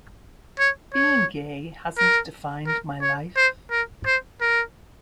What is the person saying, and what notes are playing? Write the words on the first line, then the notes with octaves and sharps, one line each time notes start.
Being gay hasn't defined my life.
C#5
C#5
A#4
A#4
C#5
C5
A#4
C5
A#4